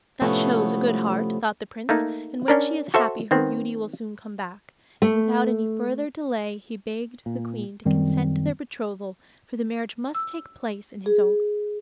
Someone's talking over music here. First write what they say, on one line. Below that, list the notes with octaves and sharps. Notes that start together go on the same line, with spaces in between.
'That shows a good heart,' thought the prince; 'and when she is happy her beauty will soon come back.' And without any further delay he begged the queen to consent to their betrothal, for the marriage must take place in his own country.
A2 C3 F3 A3 B3 C#4
A3 A#3 D#4
C#4 D4 A#4
F#4 A4 C5 E5
D#3 B3 C4
A3
A#2
F#2 D#3 G3 C4
E6
G#4